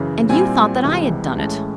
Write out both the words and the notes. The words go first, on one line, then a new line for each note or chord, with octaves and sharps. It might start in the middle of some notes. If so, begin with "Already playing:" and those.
And you thought that I had done it!
Already playing: F#2 C#3 E3
A#2 G3 C4 E4 G#5
C2 C3 E3 G#3
A2 E3 G#3 C#4 A5